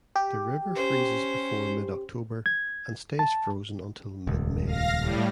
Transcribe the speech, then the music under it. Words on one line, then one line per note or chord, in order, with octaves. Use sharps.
The river freezes before mid October and stays frozen until mid May.
G4
C#4 C5
G#6
A5
D#1 C#2
F5 A#6
A2 G3